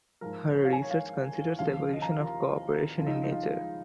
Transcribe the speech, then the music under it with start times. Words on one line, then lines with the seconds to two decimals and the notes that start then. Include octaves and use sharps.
Her research considers the evolution of cooperation in nature.
0.21 G#2 F3 A#4
0.55 C#5
0.65 F5
0.73 G#5
0.82 C#5
0.90 F5
1.59 D#2 C#3 F3 F5
1.93 D#5
2.02 A#5
2.12 A#4
2.20 F4
2.98 C#2 C#3 F3 F4
3.07 D#4
3.15 F4
3.23 D#4
3.32 F4